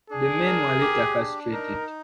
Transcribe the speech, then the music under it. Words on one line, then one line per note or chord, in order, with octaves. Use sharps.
The men were later castrated.
D4 G#4
A#4
G4
D4
D#4 A#4